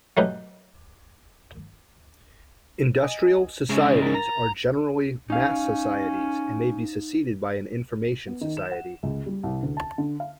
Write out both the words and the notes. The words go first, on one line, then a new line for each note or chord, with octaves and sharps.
Industrial societies are generally mass societies, and may be succeeded by an Information society.
F#3 A3 C#4 D#4 G4 B4
D#5 G#5
G#2 C#3 G#3 E5
A#4 A6
A#5
C#4 D#4 F5
B3
D#3
E7
F#5
C#2
G3
C2
D2
A5
D3
F5